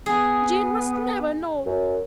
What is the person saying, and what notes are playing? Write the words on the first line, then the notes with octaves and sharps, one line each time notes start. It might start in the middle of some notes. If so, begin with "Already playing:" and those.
Jane must never know.
B3 G#4
F#2